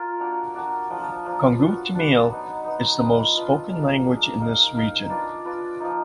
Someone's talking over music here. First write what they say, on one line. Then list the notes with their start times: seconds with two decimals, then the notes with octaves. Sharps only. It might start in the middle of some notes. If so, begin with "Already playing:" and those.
Kongu Tamil is the most spoken language in this region.
Already playing: F4 A#4
0.20 A#3 D4 F#4 D5
0.54 A#3 D4 F#4 D5
0.90 F3 A#3 D4 F4
1.25 F3 A#3 D4 F4
1.60 D4 F#4 B4
1.95 D4 F#4 B4
2.30 F#3 B3 D#4
2.64 F#3 B3 D#4
3.00 D4 F4 B4 D#5
3.35 D4 F4 B4 D#5
3.69 A#3 D4 G#4
4.05 A#3 D4 G#4
4.40 A#3 D#4 A#4 F5
4.75 A#3 D#4 A#4 F5
5.10 D4 F4 B4 D5
5.45 D4 F4 B4 D5
5.80 F3 A#3 D#4